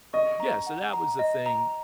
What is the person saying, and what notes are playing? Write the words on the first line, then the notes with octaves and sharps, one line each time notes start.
yeah, so that was the thing
D#5 C#6
A#5
F#5
A#5
D#5
A#5